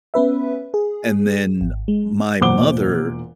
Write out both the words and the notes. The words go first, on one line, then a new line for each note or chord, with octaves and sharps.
And then my mother
B3 C#4 B4 E5
G#4
G#1
G#3
E1 A#2 C5 F#5 D6 G7